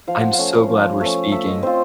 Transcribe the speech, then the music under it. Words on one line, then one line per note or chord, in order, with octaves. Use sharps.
I'm so glad we're speaking.
F3 F5
F#5
F5
A3 C#4
F3
A3 C#4
A3 E5
D#5
C4 F4 C5